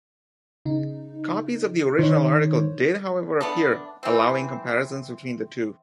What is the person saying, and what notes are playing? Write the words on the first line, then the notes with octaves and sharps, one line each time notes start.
Copies of the original article did however appear, allowing comparisons between the two.
C#3 D#4
D#3 C5 C#5
A3 B3 D4
E3 C4